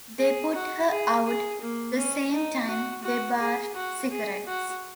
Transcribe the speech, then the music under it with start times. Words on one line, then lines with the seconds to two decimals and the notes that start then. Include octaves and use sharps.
They put her out the same time they barred cigarettes.
0.18 G#4
0.54 F#4
0.90 G#4
1.26 G#4
1.61 A#3
1.96 C#4
2.32 D#4
2.68 F#4
3.03 F#4
3.39 G#4
3.75 F#4
4.10 G#4
4.47 F#4